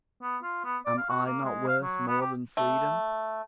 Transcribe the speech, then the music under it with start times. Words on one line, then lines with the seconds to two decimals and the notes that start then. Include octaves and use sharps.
Am I not worth more than freedom?
0.22 B3
0.43 F4
0.64 B3
0.86 D5
0.98 F5
1.09 F#4
1.26 A#3
1.44 G#3
1.68 F5
1.82 F#3
2.07 B3
2.21 G4
2.57 A3